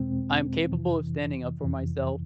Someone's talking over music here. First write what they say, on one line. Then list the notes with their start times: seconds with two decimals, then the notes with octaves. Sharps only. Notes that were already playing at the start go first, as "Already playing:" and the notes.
I'm capable of standing up for myself
Already playing: E2 B2 G#3 C4
0.71 F2 C3 E3
1.60 F2 C3 E3